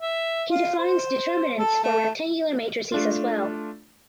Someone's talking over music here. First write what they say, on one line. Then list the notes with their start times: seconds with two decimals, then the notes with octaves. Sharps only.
He defined determinants for rectangular matrices as well.
0.01 E5
0.50 F4
0.79 C5
1.58 A4
1.84 A3
2.92 A3 D4 F4